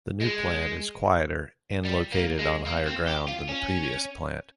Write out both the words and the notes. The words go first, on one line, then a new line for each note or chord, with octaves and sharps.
The new plant is quieter and located on higher ground than the previous plant.
G#3
G3
A#3
G#3
A#3
C4
G4
F4
C#4